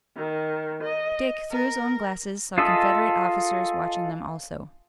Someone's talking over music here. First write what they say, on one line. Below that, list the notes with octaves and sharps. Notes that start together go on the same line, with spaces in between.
Dick, through his own glasses saw Confederate officers watching them also.
D#3
D#5
A#4
F4 G#4 A4 D#5 E5